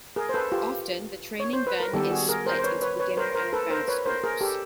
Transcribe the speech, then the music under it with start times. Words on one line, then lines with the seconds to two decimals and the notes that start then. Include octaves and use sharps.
Often, the training then is split into beginner and advanced groups.
0.16 G#4 A#4
0.29 C5
0.34 A4 B4
0.52 F4 G4
1.40 C#5
1.53 C5
1.67 B4
1.80 A#4
1.93 D#3 G3 B3 G4 A4
2.11 F#4 G#4
2.29 G#4 A#4
2.46 A#4 C5
2.59 C5
2.64 B4 C#5
2.82 B4 C#5
3.00 B4 C#5
3.17 A#4 C5
3.35 A#4 C5
3.53 A4 B4
3.70 A#4 C5
3.88 B4 C#5
4.06 A#4 C5
4.24 G#4 A#4
4.41 G4 A4